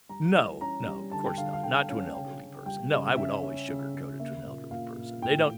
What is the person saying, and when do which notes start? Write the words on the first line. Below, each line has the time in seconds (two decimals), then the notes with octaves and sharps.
No, no, of course not, not to an elderly person, no, I would always sugarcoat it to an elderly person. They don't
0.09 G3 A#5
0.35 E3
0.61 C#4 A#5
0.86 G3
1.12 D3 A5
1.24 G5
1.38 D3 F5
1.53 F5
1.63 D3 G5
1.89 C#4
2.15 C#3 G5
2.40 C#3
2.66 G3 G5
2.92 C#3
3.17 C#4 E5
3.43 C#4
3.68 C#3
3.94 C#3
4.20 A#3 E5
4.45 A#2
4.71 A#2 F5
4.97 A#2
5.22 A2 G5